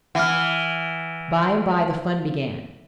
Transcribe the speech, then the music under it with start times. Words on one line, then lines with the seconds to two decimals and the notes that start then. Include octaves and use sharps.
By-and-by the fun began.
0.15 E3 F#5 F6